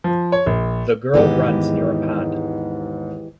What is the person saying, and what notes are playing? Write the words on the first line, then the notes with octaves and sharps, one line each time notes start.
The girl runs near a pond.
F3
C#5
A#1
D#2 G#2 E3 G#3 B3 G4